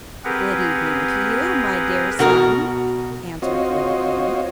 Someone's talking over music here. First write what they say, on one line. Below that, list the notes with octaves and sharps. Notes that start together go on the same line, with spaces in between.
'Good evening to you, my dear son,' answered the old woman.
C4 G4 G#4 A#4 B4 F#5
B2 F#4 A#4
C4 F4 F#4 C5 C#5 D#5